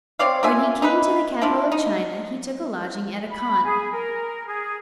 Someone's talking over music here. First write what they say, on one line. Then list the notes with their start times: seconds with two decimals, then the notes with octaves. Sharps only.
When he came to the capital of China, he took a lodging at a khan.
0.19 C4 C#5 D5 F5
0.43 A#3 F4 E5 G#5
0.82 D#4 E4 B4
1.41 D4 E4 F4
1.72 D#4
3.29 B5
3.63 G#4
3.91 A#4
4.46 G#4